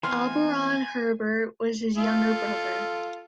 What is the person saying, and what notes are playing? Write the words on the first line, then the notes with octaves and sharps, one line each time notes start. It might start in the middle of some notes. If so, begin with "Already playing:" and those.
Auberon Herbert was his younger brother.
E3 B3 C4 G#5 C6 F6
F4 A4